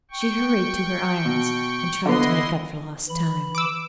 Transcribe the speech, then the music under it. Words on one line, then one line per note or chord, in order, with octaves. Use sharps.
She hurried to her irons, and tried to make up for lost time.
G5 C#6
B2
D3 B3 E4 D#5 C6
E3 B5
D6 E6